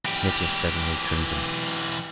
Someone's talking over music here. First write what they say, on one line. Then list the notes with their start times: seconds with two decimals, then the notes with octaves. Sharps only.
Mitya suddenly crimsoned.
0.05 E3 G4